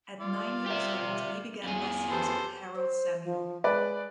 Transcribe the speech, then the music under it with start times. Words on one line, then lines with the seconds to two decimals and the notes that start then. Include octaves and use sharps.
At nine years old he began lessons with Harold Samuel.
0.19 G3 F4 D5
0.66 G4 E5
1.63 F2 G#4
2.11 B3 G4 A4 C5
2.76 C5
3.24 F3
3.64 G#3 B4 D5